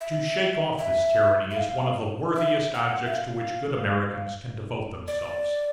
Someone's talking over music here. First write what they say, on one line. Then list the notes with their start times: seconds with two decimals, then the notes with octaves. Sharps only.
To shake off this tyranny is one of the worthiest objects to which good Americans can devote themselves.
0.01 E5
0.78 E5
1.50 E5
1.56 F5
2.35 E5
2.74 F#5
3.06 E5
3.13 F5
5.07 D5